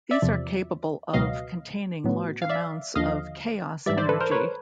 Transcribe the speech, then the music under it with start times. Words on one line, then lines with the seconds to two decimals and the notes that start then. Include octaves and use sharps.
These are capable of containing large amounts of chaos energy.
0.11 D5 E5
0.22 E2 C3 F3
1.13 C#2 B2 F#3 B3 D#5 F5
2.04 A2 F#3 B3
2.42 F5
2.50 D5 E5
2.95 D#2 D3 F3 D#5 F5
3.86 G#2 E3 G3 D5 E5
3.98 C5 D5
4.09 A4 B4
4.20 A#4 C5
4.31 B4 C#5